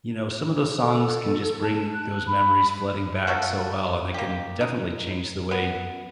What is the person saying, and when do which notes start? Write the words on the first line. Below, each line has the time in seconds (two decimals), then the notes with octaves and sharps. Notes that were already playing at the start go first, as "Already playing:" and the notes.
you know, some of those songs can just bring those memories flooding back so well, and they can definitely change the way
0.82 A4
1.62 A5
1.93 F#6
2.27 B5
3.27 F3 F#4 A4 A#4
4.14 A#3 G4
4.61 D#4
5.51 B3